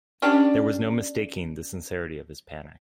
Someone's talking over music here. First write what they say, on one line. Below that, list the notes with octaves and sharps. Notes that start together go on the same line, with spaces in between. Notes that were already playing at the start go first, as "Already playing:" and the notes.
There was no mistaking the sincerity of his panic.
C#4 D4 G4 D5